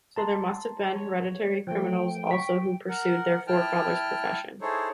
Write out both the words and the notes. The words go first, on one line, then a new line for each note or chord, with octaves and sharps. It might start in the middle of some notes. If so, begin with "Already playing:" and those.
So there must have been hereditary criminals also who pursued their forefathers' profession.
A5 A#5 C6
C#5
F3 A3 G5
C#6 B6
A#4 F#5
E4 G5 A5 F6
D#4 E4 G#4 A4 C5 C#5